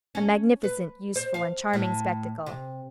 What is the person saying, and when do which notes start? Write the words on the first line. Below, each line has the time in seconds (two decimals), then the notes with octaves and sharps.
A magnificent, useful, and charming spectacle.
0.15 C#4
0.63 B4
1.16 C5
1.34 F5
1.73 A2
2.46 C3